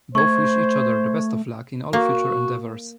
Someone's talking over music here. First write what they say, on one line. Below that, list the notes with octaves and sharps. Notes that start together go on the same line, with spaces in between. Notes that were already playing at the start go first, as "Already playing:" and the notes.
Both wish each other the best of luck in all future endeavors.
A3 C5 C#6 G#6
A#3 F#4